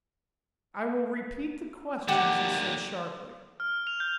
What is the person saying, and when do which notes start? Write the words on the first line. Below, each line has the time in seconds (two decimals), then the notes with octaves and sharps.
"I will repeat the questions," he said sharply.
2.08 D#2 D3 G4 F#5
3.60 F6
3.87 F7
4.00 G6